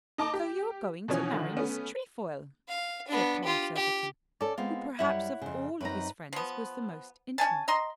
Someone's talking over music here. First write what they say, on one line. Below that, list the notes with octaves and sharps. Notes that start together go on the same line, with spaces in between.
"So you're going to marry Miss Trefoil," said Tom Surbiton, who perhaps of all his friends was the most intimate.
D#4 A5 A#5 D6
G4
B2 E3 F3 C#4 C#5 G#5
D3 D#3 F3
A3 B3 C#4
F5
B3 D4
F4 G4
G4
C#4 A4 D5
G#3 B3 C4 F4
F#2 G3 E4 C#5 F#5
F2 C#3
F#2 C4 D#4 B4 A#5
F3 B3
C#4 D#4 G#5 A5
D#5 A#5 C6